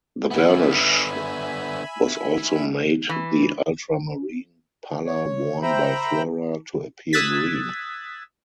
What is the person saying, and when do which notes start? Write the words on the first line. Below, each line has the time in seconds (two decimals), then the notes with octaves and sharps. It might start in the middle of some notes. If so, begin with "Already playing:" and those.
The varnish also made the ultramarine palla worn by Flora to appear green.
0.31 D3 B3 E5 G#5 B5
3.09 E3
5.06 C#5
5.62 C5 E5 G5 A#5 B5
7.13 D#6 E6 F#6 G#6 A6 B6